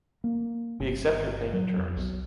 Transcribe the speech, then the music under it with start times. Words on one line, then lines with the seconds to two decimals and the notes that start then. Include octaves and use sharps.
We accept your payment terms.
0.24 A#3
0.80 G1
1.53 F#3
1.78 F2
1.96 B1